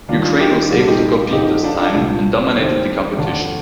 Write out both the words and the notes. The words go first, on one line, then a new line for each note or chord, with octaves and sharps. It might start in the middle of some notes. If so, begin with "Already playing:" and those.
Ukraine was able to compete this time, and dominated the competition.
D#2 D#3 G3 D4 F4
D#4 G4
C2 A#2 G3 G4
A4
D#4 G4
G1 F2 D3 A3 D#4 G4
D4 F4
D4
C2 A#2 G3 D4
G2 D#3 G3 C4
F1 D#2 D3 D4